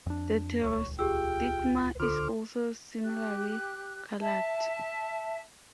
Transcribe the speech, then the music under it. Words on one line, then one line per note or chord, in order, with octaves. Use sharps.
The pterostigma is also similarly colored.
F2 D4
D#1 C#2 C#5
F4 G4 G#4 G5 E6
D3 F4 A4 C5 D6 F6
G4 F#6
E5 A5